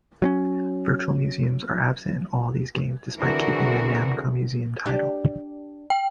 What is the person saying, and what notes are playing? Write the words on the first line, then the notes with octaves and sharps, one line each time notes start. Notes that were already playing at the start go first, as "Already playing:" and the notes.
Virtual museums are absent in all these games despite keeping the "Namco Museum" title.
F#3 C4 C#4
D3 E3 C4 F#4 G#4 A#4
D4 G4
G5